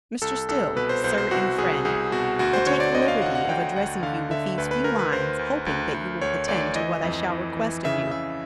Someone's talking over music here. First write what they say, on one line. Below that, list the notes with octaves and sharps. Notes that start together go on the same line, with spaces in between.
Mr. Still:--Sir and Friend--I take the liberty of addressing you with these few lines hoping that you will attend to what I shall request of you.
C2 A4
C2 A4
B2 B4
C5
C2 C5
C5
C2 F#4
C2 G#4
C2 G#4
B2 F#4
D2 F#4
C5
D3 C#5
D5
D2 D#5
F5
D3 F#5
F#5
D2 G5
D2 F#5
D3 F5
D3 E5
D2 B4
B4
D2 A#4
B4
D2 C5
D2
D2
D2
D2 C#5
D2 D5
E3 D#5
F2
E3
E3
C#3 E5
C#3 E5